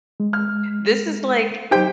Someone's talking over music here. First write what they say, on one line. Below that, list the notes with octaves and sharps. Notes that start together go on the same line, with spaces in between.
this is, like
G#3
F6
F#3 D#4 G4 C5 G5